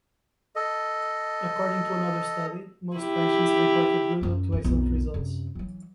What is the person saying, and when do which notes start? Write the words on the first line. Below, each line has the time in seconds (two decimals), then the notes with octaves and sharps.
According to another study, most patients reported good to excellent results.
0.56 A4 D#5
2.97 E4 G4
4.21 F#2 D#4
4.52 F2
4.64 B1 F2
5.14 F#2 C3
5.55 E3 F#3